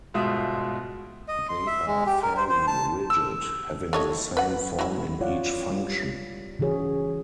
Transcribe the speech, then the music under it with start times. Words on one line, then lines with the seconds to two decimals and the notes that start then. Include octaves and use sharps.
They are fairly rigid, having the same form in each function.
0.14 G1 G#2 B2 F4 E5 D#6
1.28 D#5
1.49 C6
1.67 E5
1.87 G#3
2.06 G4
2.23 A#4
2.37 C5
2.49 C5
2.68 A5
3.10 E6
3.93 A3 C#5 D#5
4.37 B4 F#5
4.79 F#3 E4
5.21 E4 F4 C#5 D5 F5 F#5
5.70 G3
6.59 C#3 E3 F#4 G#4 C#5